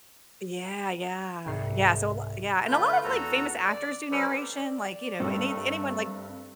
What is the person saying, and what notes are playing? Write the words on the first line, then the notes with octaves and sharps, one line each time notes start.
Yeah, yeah. Yeah, so a l yeah, and a lot of, like, famous actors do narration, like, you know, any anyone like
C2 G#2 C7 C#7
D3 A3 F4 B4 G6
E2 F#4 A4 A#5
D5
F#3 C#4 A4 B4 C5 D5
D5
G2 G3 A3 C4 A4 A#4